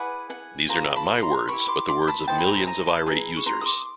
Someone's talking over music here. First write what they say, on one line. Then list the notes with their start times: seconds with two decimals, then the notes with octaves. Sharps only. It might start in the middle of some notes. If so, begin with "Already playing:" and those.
These are not my words, but the words of millions of irate users.
Already playing: E4 G#4 B4 D5 F#5 G#5
0.30 F#5 G#5
0.69 F4 G#4 B4 D5 G#5 A#5
0.96 A5 B5
1.22 A#5 C6
1.48 E4 G4 A#4 B5 C#6
1.68 C6 D6
1.88 C6 D6
2.07 A5 B5
2.27 E4 A4 C5 D#5 G5 A5
2.38 B5
2.47 G#5 A#5
2.67 G#5 A#5
2.87 A5 B5
3.06 E4 G#4 B4 G#5 A#5
3.37 C#6
3.46 A#5 C6
3.61 D#6
3.66 C6 D6